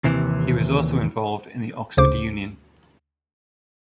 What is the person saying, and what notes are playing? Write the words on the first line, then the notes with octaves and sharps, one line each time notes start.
He was also involved in the Oxford Union.
D#2 C3 E3
D2 C#3 C5 D6